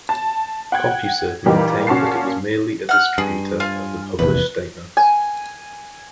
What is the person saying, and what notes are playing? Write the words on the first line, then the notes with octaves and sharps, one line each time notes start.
CompuServe maintained that it was merely a distributor of the published statements.
A5
F#5 G5 G#6
A#2 E3 G3 D#4 G4 A#4
A#2 C#4 F#4 A5 C7
F#5 F6
G2 G#4
F4 G#5
F1 A#1 E2 B4
G#5